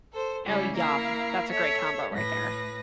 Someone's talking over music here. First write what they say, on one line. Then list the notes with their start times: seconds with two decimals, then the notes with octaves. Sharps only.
Oh, yum. That's a great combo right there.
0.13 A4 C5
0.46 C#3 G3 G#3 C#4 E4
0.77 A#3 E4 A#4 F5
1.49 A4 C#5 E5
2.12 A2 B4 A#6